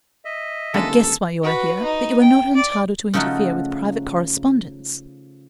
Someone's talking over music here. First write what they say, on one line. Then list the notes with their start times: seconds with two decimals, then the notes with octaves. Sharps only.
I guess why you are here, but you are not entitled to interfere with private correspondence.
0.25 D#5 E5
0.74 D#1 D3 G#3 A#3 A4
1.43 F#4 B4
1.82 D#4
2.20 G5
2.55 D5
3.14 C#3 F3 A3 D#4 F#4